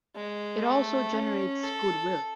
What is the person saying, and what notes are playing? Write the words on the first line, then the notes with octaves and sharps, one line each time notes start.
It also generates good will.
G#3
A3
C#4
A4